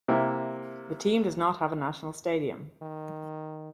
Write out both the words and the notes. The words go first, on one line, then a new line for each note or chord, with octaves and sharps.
The team does not have a national stadium.
C3 A#3 E4
D#3